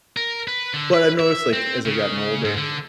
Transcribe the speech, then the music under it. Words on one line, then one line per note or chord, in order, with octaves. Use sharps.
But I've noticed, like, as I've gotten older
A#4
B4
D3
B4
E5
C4
C#3
G#2
D3